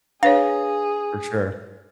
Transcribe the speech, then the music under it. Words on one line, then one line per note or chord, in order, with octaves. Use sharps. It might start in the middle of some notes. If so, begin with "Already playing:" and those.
For sure.
D4 G#4 B4 C#5 F5